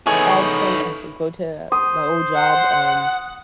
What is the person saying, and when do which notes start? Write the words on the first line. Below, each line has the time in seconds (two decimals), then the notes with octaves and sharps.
add some I could go to my old job, um
0.07 E3 A3 B3 D#4 G#4 C#5
0.30 C#6
1.72 C5 D#6
2.36 F#5